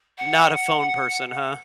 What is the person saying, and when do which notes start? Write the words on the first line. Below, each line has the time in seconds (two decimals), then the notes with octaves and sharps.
Not a phone person, huh?
0.18 F#5